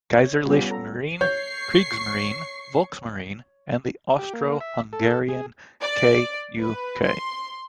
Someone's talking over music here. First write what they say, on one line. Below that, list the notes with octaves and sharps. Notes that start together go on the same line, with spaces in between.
Kaiserliche Marine, Kriegsmarine, Volksmarine, and the Austro-Hungarian K.u.K.
C#5
G3 B3 C#4 F4 G4
A4 A#5
C#5 C#6 G6 C7
G4
A#3
E5
A4
G#4
D5
B4
C6